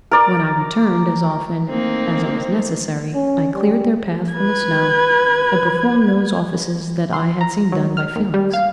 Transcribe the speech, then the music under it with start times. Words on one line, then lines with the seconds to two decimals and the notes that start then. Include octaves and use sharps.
When I returned, as often as it was necessary, I cleared their path from the snow and performed those offices that I had seen done by Felix.
0.11 A#4 D5
1.68 A3 A#3 C4 D#4
3.14 C#4
3.54 G3
4.33 B4 G#6
7.13 C6
7.41 A#5
7.72 F#3
7.97 F6
8.16 D#2
8.34 G3
8.53 F5